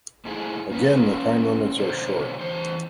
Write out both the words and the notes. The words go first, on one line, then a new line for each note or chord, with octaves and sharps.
Again, the time limits are short.
G#2 A3 E4 G#4
A#3 C#4 B4
B2 D3 C5 C#5
E2 C5